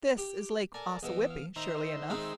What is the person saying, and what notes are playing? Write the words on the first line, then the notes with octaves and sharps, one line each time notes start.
This is Lake Ossawippi surely enough.
G4
A4 A#4 D5 G#5
E2 E3 D#5
F5
D#3 C5 E5 A#5
G#3 C4 D#4